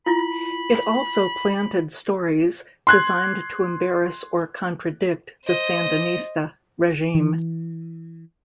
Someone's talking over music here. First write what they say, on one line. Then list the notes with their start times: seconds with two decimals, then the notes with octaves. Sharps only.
It also planted stories designed to embarrass or contradict the Sandinista regime.
0.06 E4 F4 B5
2.87 C6 F#6 G#6
5.45 C5 D#5
7.15 E3